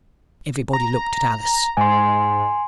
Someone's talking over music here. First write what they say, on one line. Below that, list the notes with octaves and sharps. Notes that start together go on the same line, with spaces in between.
Everybody looked at Alice.
A#5
G#2 G#5 C6